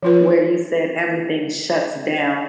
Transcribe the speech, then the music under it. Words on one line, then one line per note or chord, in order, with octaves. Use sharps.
where you said everything shuts down,
F3 F4 B4